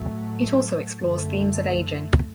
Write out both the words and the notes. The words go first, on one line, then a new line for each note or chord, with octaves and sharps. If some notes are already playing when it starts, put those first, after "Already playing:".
It also explores themes of aging.
Already playing: A2 F#3 A3
F#2 D3 A3